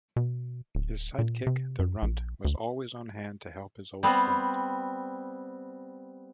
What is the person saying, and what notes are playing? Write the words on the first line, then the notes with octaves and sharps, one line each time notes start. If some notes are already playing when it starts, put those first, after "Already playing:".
His sidekick, the Runt, was always on hand to help his old friend.
B2
D1
A#2
C3
F#2
A#1
D2
G3 B3 C4